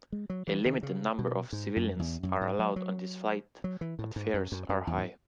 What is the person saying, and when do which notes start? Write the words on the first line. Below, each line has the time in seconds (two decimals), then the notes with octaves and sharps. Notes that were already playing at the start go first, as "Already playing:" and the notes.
A limited number of civilians are allowed on this flight but fares are high.
0.12 G#3
0.30 F#3
0.47 E3
0.66 D#3
0.83 C#3
1.19 B2
1.53 G#2
1.76 F#2
1.99 E2
2.23 F#2
2.41 G#2
2.59 F#3
2.76 F#3
3.64 F#3
3.81 E3
3.99 A2
4.16 G#2
4.34 F#2
4.52 F#2
4.69 F#2
4.87 E2
4.98 G#2